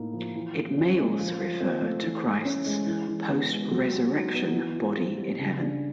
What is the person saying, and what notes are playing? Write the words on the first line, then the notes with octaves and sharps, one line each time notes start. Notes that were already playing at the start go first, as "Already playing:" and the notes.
It may also refer to Christ's post-resurrection body in Heaven.
Already playing: A2 A#3 D#4
F3
E3
E3
C#4
G#3
F3
F3
C4
A3
E3
E4
C#4
G#3
E3
E3
B3
G#3
F#3
G4
D#4
B3
E3
F4
C4
G3
C#3
D4